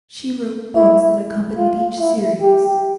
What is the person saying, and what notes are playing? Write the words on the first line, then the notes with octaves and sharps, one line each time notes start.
She wrote books that accompanied each series.
E4
F4
E4
G4